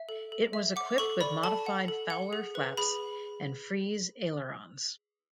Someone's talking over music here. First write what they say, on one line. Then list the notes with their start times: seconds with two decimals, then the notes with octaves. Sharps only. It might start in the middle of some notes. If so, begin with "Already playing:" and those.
It was equipped with modified Fowler flaps and Frise ailerons.
Already playing: E5
0.09 A4
0.32 A4
0.53 E5
0.76 F#5 D6
0.98 A4 C#6
1.21 D5 B5
1.43 A4 A5
1.66 F#5
1.88 A4
2.10 F#5
2.33 G#4
2.55 B4
2.77 G#4 B5